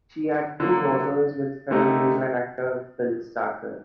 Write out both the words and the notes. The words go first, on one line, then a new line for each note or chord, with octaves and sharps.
She had two daughters with fellow New Zealand actor Bill Stalker.
D3 F#3 A#3
D3 A3 D#4 G4 A#4